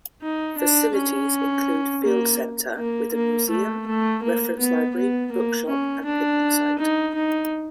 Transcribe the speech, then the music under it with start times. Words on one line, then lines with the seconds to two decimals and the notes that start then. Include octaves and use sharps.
Facilities include field centre with a museum, reference library, bookshop and picnic site.
0.22 D#4
0.58 D4
0.95 C#4
2.04 A#3
2.77 A#3
3.14 A#3
3.49 A3
3.87 A3
4.23 A#3
4.59 B3
4.95 B3
5.32 A#3
5.68 C#4
6.05 D4
6.78 D#4
7.15 D#4